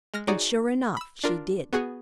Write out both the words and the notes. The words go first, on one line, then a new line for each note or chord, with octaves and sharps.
And sure enough, she did.
G#3 F6 A#6
D#4 F#4 G#4 C#5 D5
B5 E6
D4 F4 A#4
B3 F#4 G#4 F#6